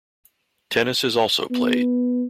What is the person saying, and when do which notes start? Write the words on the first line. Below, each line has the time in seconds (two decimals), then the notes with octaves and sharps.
Tennis is also played.
1.51 B3